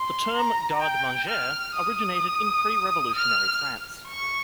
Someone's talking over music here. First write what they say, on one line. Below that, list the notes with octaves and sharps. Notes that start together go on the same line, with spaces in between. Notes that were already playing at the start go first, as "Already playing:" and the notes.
The term "garde manger" originated in pre-Revolutionary France.
Already playing: C6
A#5
G5
F6
D#6
F6
C#6